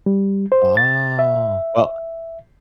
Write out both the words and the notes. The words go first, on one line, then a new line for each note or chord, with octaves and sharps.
Oh, well
G3
C5
A6
E5